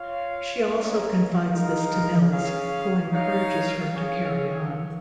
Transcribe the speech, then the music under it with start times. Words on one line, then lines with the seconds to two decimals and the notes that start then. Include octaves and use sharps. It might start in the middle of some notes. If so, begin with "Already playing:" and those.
She also confides this to Mills, who encourages her to carry on.
Already playing: F4 C#5 F5
0.70 A#3 C#4 A#4 D#5
1.50 G#3 D#4 A#4 F5
2.31 C#4 G#4 F5
3.12 D#4 C#5 F5
3.93 C#4 G#4 C#5 F5